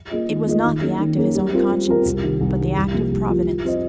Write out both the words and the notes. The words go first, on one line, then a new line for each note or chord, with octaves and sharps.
It was not the act of his own conscience, but the act of Providence.
A#3 F4 G#4 D#5
D#3
A#3 F4 G#4 D#5
D#3
A#3 C#4 G#4
D#3
A#3 C#4 G#4
G3
C4 F4 A#4
G3
C4 F4 A#4
C2
C3 D#3
C2
C3 D#3
C2
C3 F3 A#3 F4
C2
C3 F3 A#3 F4
F3
C4 F4 C5 D#5